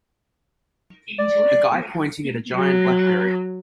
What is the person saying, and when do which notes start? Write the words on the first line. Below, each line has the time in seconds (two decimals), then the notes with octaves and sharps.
A guy pointing at a giant Blackberry.
1.18 D5
2.55 F#3